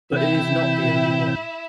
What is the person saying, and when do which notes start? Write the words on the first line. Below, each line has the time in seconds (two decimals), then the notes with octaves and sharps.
But it is not the only one.
0.12 C3 E3 E4 E5 G5